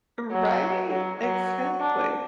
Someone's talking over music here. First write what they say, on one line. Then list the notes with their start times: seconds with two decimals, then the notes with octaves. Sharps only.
Right. Exactly,
0.32 F#3
0.91 F#3
1.20 F#3
1.80 D4